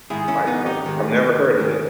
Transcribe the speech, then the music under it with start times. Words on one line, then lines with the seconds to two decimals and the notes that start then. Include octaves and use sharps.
Python. I've never heard of that.
0.10 G#2 D#3 G#3 E4 G#4
0.28 C#4 E4
0.47 B3 D#4
0.66 D#4 G4
0.84 G#2 D#3 G#3
1.58 G#2 D#3 G#3